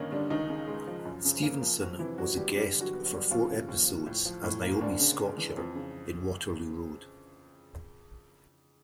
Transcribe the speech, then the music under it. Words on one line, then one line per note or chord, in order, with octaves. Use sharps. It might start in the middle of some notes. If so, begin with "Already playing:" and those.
Stephenson was a guest for four episodes as Naomi Scotcher in "Waterloo Road".
Already playing: G2 D3 D#3 A#3 C#4 D#4
D3 G3 D4
C#2 D#3 D#4
C#3
G#3
F3
F#2
C#3
A#3
F3
F2 F#3 F#4
C3 E3 E4
F#3 G3 F#4
E3 G3 G4
G2 G3 G4
D3
F#3 F#4
B3
F#3 F#4
G3
D#2 F3 F4
C#3
D#2
F3
A2
F3
A2
A#3
D2 D3 D4
C#3
G#3
E3
F2
C#3